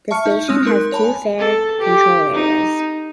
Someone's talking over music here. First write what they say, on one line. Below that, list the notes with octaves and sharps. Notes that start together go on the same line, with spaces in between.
This station has two fare control areas.
E5 A5 C#6 F6 C#7
D#4
G#3 C4 D#6 F6 D#7
D#4 A#4 C6 F#6
C#5 A5 B5
G#5
A4
G4
D#4